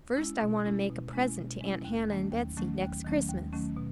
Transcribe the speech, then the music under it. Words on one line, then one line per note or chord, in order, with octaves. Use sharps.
"First, I want to make a present to Aunt Hannah and Betsey, next Christmas."
G#3 C#4 E4
B2
G#3 C#4 E4
B2
G#3 C#4 E4
B2
G#3 C#4 E4
D#2
D#3 F#3 A3 C#4
D#2
D#3 F#3 A3 C#4
D#2
D#3 F#3 A3 C#4
D#2
D#3 F#3 A3 C#4
B2